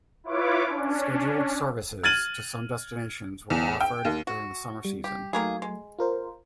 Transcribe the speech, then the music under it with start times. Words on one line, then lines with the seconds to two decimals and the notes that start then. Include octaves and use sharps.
Scheduled services to some destinations were offered during the summer season.
0.24 E4 F4 B4 C#5 D6
0.66 C#4 D4
2.03 F6 G#6 A6 D#7 F#7
3.50 E2
3.81 G5
4.05 D#2
4.27 F#4
4.85 G3
5.04 G4
5.33 D#3 F#3 A3 A#3 G#4
5.62 G#3
5.99 F4 A#4 C5